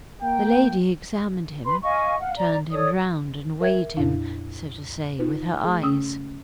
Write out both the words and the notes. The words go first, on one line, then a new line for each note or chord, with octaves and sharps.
The lady examined him, turned him round and weighed him, so to say, with her eyes.
A#3 G5
B4 B5 C6
D#5 F5 G#5 C#6
F5 F#5
D5 A#5
A4 C#5 D5 D#6
A#4 E5 G5 G#6
F2 A#2 D4 E4 F5
D#4 F4 B4
A3 G#4
C#3 C#4 G5 D#6 E6